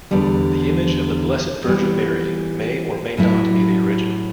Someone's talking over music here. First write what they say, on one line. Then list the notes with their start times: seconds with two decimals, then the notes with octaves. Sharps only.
The image of the Blessed Virgin Mary may or may not be the original.
0.11 E2 D3 G3
1.64 E3 G3 B3
3.17 A2 F#3 A3 E4